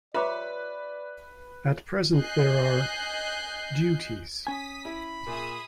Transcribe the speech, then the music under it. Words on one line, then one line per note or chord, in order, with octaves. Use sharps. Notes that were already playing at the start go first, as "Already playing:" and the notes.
At present there are — duties.
F4 G4 B4 C#5 D5 E5 C6 D6
D#5 G#5 F#6 G6 C7
C#4 G#5 D#6 B6
E4 B5
A#2 G#4 E5 D#6